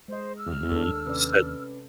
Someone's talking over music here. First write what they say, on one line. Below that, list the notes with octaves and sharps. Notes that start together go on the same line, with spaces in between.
Mhm. Said
G#3 C5 D#5
E6 F6
D#2 D4 A4
C3 C#4 B4 D5